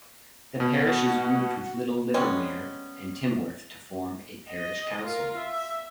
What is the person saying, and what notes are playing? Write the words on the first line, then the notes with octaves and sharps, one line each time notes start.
The parish is grouped with Little Livermere and Timworth to form a parish council.
B2 F#4
G3 G#3 B3 C#4
D#5
F4 A#4
E5